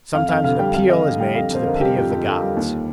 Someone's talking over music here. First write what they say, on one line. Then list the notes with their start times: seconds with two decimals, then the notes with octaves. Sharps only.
Sometimes an appeal is made to the pity of the gods.
0.14 F2 F5
0.29 F2 F5
0.44 D3 F5
0.59 G3 G5
0.74 F2 F5
0.89 F2 D#5
1.05 D3
1.20 G3 G5
1.35 F2 F5
1.50 F2 C5
1.65 D3 A#4
1.74 A4
1.80 G3 G4
1.95 F2 F4
2.10 F2
2.26 D3
2.41 G3
2.56 D#2